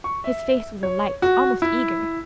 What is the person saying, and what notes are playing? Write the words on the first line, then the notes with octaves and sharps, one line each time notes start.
His face was alight, almost eager.
C#6
E5
C#5
F#4
E4